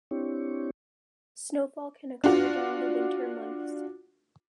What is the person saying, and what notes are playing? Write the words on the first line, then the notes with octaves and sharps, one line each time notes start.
Snowfall can occur during the winter months.
C4 D4 E4 G4 C#5
D4 F4 F#4